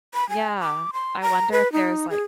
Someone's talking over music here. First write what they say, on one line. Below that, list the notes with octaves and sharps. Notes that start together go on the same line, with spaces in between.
Yeah. I wonder if there's, like
B5
G#5
D6
C6
A#5
B4
D#4
G#4